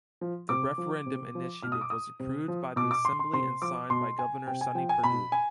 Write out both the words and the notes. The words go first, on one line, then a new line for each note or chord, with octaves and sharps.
The referendum initiative was approved by the Assembly and signed by Governor Sonny Perdue.
F3
C3 D6
F3
C3
F3
B2 F6
D#6
D6
D#6
C3
F3
B2 D6
D6
C6
C6
C3 C6
F3 D6
B2 C6
G#5
C3 G5
G#5
F3 G5
G#5
B2 B5
G#5